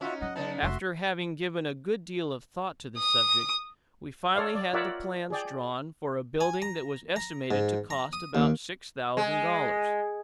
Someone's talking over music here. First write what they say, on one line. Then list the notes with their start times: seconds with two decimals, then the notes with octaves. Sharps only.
After having given a good deal of thought to the subject, we finally had the plans drawn for a building that was estimated to cost about six thousand dollars.
0.01 C#4 D#4 F4 F#4 E5
0.21 F#3 D#5 F#5
0.36 C#3 B3 D#4 A5
0.62 F1 A3 F#4 E5 C6
2.98 D#6
4.36 A4 C#5 D5 F5
4.55 D5
4.73 F4 A#4 C#5 D5 E5 F#5
5.30 G#4 D5 G5
6.41 G#5
6.62 A#5
7.16 A#5
7.51 G#2
7.90 A#5
8.13 D#6
8.35 D#2
9.17 G#3